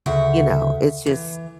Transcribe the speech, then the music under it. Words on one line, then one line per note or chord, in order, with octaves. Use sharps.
You know, it's just
D2 C#3 E5 F#5
E3